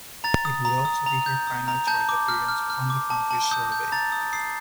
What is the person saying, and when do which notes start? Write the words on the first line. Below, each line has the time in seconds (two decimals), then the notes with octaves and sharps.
It would also be her final chart appearance on the country survey.
0.24 A#5 A6
0.45 D#6
0.65 A#5
0.85 D#6
1.06 A#5
1.26 G6
1.47 D#6
1.68 A#5
1.87 A5 G6
2.09 D6
2.28 F6
2.48 F6
2.70 F6
2.90 D6
3.10 A5
3.31 A5
3.51 D#6 G6
3.72 G6
3.92 A#5 A6
4.12 D#6
4.33 D#6 C7